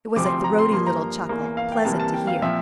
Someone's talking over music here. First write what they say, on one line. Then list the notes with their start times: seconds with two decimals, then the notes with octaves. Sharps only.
It was a throaty little chuckle, pleasant to hear.
0.16 D2 C3 F3 C4 D6
0.26 C6
0.44 A#5
0.58 C6
0.72 G2 F3 A#3 C6
0.86 A#5
1.29 E2 E3 A#3
1.57 F5
1.72 G5
1.85 C2 C3 E3 A#3 A5
2.00 A5
2.14 G5
2.27 F5
2.42 A#2 F3 C4 E5